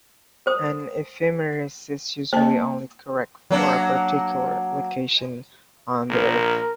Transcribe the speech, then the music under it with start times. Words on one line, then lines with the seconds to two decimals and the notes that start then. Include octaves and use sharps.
An ephemeris is usually only correct for a particular location on the Earth.
0.46 A#4 C5 D#6
2.33 A#3 C5 D#5 A5
3.51 F#3 A#3 D4
6.10 A#1 A#4